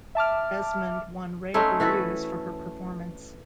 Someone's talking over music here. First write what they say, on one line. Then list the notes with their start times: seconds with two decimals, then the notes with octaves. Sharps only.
Esmond won rave reviews for her performance.
0.15 E5 A5 D6 F6
1.54 A3 C4 C#4 D#4
1.80 E3 F#4 A4 B4